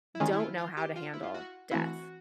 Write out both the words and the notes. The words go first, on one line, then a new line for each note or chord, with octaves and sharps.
don't know how to handle death
E4
D#3 G#3 C#4 F4
E4
F4
F4
G4
F4
E4
F4
F#4
E3 A3 C4 E4 F#4